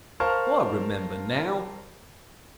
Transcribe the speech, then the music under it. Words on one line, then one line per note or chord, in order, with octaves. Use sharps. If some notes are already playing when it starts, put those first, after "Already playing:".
I remember now!
A#4 C5 F5 A5 C#6 F6